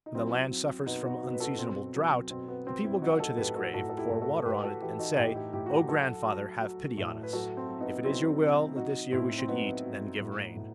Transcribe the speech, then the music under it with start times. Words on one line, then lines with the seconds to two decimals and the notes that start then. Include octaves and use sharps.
When the land suffers from unseasonable drought, the people go to this grave, pour water on it, and say, "O grandfather, have pity on us; if it is your will that this year we should eat, then give rain."
0.06 D#4
0.14 F#3 C4 E4
0.51 F#3
0.86 B2 B3 D#4
1.05 D#4 F#4
1.23 B2
1.33 B4
1.40 F#4 A4
1.59 B2 C4
1.94 F#3
2.30 B2 C4
2.48 B3
2.66 F#3 C4
2.84 C4 E4
3.02 F#3 D#4 F#4
3.20 F#4 A4
3.38 A2 G4 B4
3.56 F#4 A4
3.74 A2 F#4 A4
3.89 A4
3.98 E4 G4
4.10 A2
4.22 F#4 A4
4.45 A2 G4 B4
4.63 F#4 A4
4.81 E3 G4 B4
4.99 D#4 F#4
5.17 A2 E4 G4
5.35 E4 G4
5.53 A2 E4 G4
5.66 F#4
5.71 E4 G4
5.89 F#3 F#4 A4
6.25 F#3
6.61 F#3
6.97 A2
7.23 B4
7.33 F#3 F#4 A4
7.57 C4
7.68 F#3
7.80 B3 D#4
8.04 F#3 C4 E4
8.41 C3
8.76 F#3 D#4 F#4
9.12 A2 C4 E4
9.38 C4
9.48 F#3 B3 D#4
9.85 F#3
10.20 A2
10.56 A2